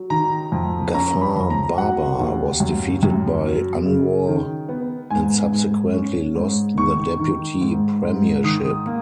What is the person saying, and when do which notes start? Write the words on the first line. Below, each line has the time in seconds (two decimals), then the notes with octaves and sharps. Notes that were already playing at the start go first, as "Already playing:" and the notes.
Ghafar Baba was defeated by Anwar and subsequently lost the deputy premiership.
Already playing: F#3
0.10 D#3 A#5
0.52 F2
0.94 C#4 A#5
1.21 B5
1.36 F2
1.50 A#5
1.77 F#3 F#5
2.19 D#2
2.60 F#2
3.03 F#2
3.44 F#3
3.86 C#3
4.28 D#3
4.69 B3
5.10 G#2 G#5
5.52 G#2
5.94 C#4
6.35 G#2
6.77 D#3 C#6
7.19 D#3
7.61 G#2
8.03 G#2
8.44 D#3 D#6
8.86 A#3